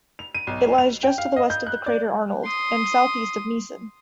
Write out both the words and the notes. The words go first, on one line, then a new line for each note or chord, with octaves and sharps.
It lies just to the west of the crater Arnold, and southeast of Neison.
F7
D#7
B1
F7
G5
F5
D#5
G6
F#6
D5
C6 D#6